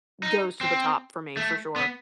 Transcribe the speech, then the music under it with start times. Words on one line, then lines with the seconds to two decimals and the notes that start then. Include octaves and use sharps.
goes to the top for me, for sure.
0.23 D#4
0.61 C4
1.37 A3
1.76 B3